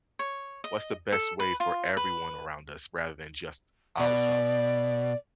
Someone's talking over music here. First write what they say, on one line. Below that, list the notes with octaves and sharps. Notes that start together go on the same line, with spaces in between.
what's the best way for everyone around us rather than just ourselves.
C#5
D#5
A4
B4
F4
B4
B2 D5